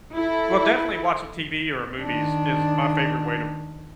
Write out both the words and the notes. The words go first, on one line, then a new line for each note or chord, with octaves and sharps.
Well, definitely watching TV or movies is my favorite way to
E4 A4
D#3 D4